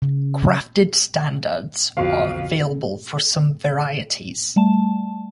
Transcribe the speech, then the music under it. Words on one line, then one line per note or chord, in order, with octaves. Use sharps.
Grafted standards are available for some varieties.
C#3
B1 F2 D3 B3 F#4 A4 D5 F5
G3 A3 A5